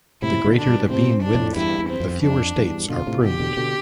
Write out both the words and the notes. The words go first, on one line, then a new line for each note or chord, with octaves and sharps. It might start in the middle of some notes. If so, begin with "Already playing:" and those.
The greater the beam width, the fewer states are pruned.
A2 C3 E4
B2 D3
D4
G2 B2
A2 C3 C4
D4
F2 A2
E2 G2 E4
E2
C4
F2
F2 D4
E2 G2
B2 D3 F4
A2 C3
B2 D3 G4
B2 D3
B2 D3